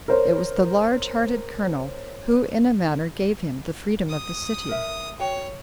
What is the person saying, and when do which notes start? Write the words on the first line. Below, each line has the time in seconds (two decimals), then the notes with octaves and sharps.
It was the large hearted Colonel who, in a manner, gave him the freedom of the city.
0.08 A#4 C5 C#5
4.09 D#6
4.69 A#4 B4 E5
5.19 F#4 B4 C#5 G5